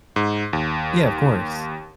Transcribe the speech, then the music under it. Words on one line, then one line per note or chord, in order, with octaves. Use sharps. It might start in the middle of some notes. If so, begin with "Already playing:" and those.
Yeah, of course.
G#2
D#2